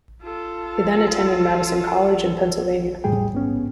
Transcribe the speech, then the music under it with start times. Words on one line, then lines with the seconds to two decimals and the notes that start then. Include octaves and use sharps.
He then attended Madison College in Pennsylvania.
0.23 F4 A4
3.04 E2 A2 G3 G#4 G5
3.33 G#2 B3 C#4